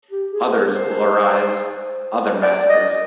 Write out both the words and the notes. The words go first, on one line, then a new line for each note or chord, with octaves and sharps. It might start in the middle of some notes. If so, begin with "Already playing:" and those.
Others will arise — other masters.
G4
G#4
C5
A#4
C5
D5
D#5